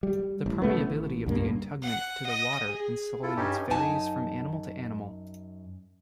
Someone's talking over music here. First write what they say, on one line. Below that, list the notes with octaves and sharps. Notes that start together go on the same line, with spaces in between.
The permeability of the integument to water and solutes varies from animal to animal.
G3
A1
C#3 E3 A3 B3
A1
C#2 G2 A#3
F#5
D#5
G#4
E4 F4 A4
G2 C#4 D#4 G4
F#2 D#4 F#5 G#5 A5